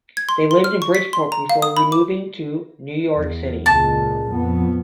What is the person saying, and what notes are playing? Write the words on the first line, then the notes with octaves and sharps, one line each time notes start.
They lived in Bridgeport before removing to New York City.
G#6
C6
C6
F6
C#6
B6
C6
A#5
F5
D#6
B5
D6
E2
C#2 A#2 G#3 A5
F2 B3